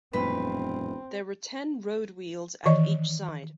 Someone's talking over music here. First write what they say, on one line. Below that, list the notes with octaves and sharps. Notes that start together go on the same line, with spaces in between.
There were ten road wheels at each side.
E1 F#2 A#2 F3 C4 B4
D#3 E3 D5 D#5